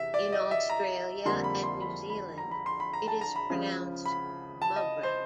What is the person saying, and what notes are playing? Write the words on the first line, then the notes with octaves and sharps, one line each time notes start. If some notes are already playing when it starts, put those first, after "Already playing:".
In Australia and New Zealand it is pronounced "MuhGrah".
Already playing: E2 C3 E5
D5
D#5
E5
A#5
F2 D3 G3 A#3 C6
B5
C6
B5
B5
A#5
B5
C6
B5
A#5
A5
A#5
B5
C#2 C#3 F3
B5
A5
D#5
C5